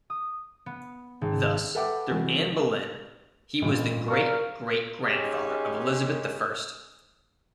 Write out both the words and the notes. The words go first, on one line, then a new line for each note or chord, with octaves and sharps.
Thus, through Anne Boleyn, he was the great-great-grandfather of Elizabeth the First.
D#6
B3
G#1
A4 B4 E5 F#5 G5 D6
C3 E3 F#3 G#3
A1 G2 A#2
A#4 D5 F5 C#6
G#3 C#4 D#4 G4 G#4